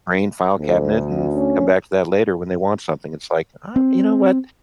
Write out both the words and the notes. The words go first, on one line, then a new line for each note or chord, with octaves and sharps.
brain file cabinet and come back to that later when they want something," it's like, "I you know what?
D2
C#4
C4